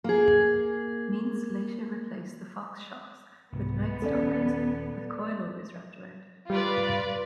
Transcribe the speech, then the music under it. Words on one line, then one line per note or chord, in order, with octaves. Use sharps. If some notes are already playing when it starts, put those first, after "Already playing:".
Meents later replaced the Fox shocks with Knight Stalkers with coil-overs wrapped around it.
A#3 G#4
C2 G#2 B3
D#1 C#4 A4 D5
G3 F4 B4 D5